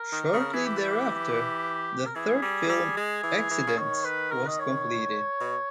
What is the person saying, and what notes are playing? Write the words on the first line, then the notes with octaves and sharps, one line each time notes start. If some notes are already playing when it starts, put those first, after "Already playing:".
Shortly thereafter, the third film "Accidents" was completed.
Already playing: A#4
D#3
C#3
E3 G#4
G4
E4
G4
A#4
E3 G#4
G3
G3
G#3
E3
E3
C#3
D#3 C#5
B4
A#4
D#5
C#5
B2